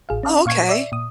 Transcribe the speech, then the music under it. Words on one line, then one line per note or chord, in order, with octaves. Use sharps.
Oh, okay.
A1 G#4 F5
C#4 F5
A#2 F5 C#6 G#6 D#7
D5 E5
A#2 D#6